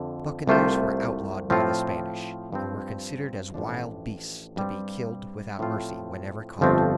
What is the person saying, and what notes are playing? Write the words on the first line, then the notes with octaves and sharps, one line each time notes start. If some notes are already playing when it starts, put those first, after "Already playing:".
Buccaneers were outlawed by the Spanish, and were considered as wild beasts to be killed without mercy wherever caught.
Already playing: F2 D3
C2 C3 A3 F4 C5
A2 F3 C4 F4 A4
G2 F3 C4
A1 A2 F3 D4
G2 G3 C4
A2 F3 C4 F4
G1 F2 F3 A3 C4